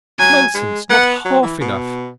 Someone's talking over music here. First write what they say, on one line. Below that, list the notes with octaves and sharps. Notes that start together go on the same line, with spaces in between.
'Nonsense! not half enough.'
F#3 G#5
G#3
B3 F#5
F#3
E3
B2